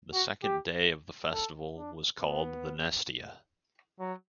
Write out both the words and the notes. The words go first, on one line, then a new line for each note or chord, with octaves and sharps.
The second day of the festival was called the "nesteia".
F#4
G4
A4
D4
B3
F#3